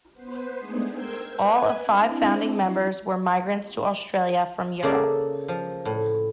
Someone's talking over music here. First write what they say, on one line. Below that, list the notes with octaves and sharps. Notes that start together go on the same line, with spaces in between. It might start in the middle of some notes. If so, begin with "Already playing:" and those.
All of five founding members were migrants to Australia from Europe.
B3 B4 C5
G#3 A3 B3 D4 D#4 G#4
A#4 C5 G5 E6 G6 G#6
B4 G#5
C4 D4 E4
F3 F#3 C7
C#3 A#3 A4 C#5 D5 E5
F3
A2